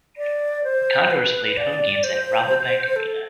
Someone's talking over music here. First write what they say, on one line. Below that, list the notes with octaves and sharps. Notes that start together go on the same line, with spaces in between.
The Condors played home games at Rabobank Arena.
D5
C5
B4
D5
C5
A4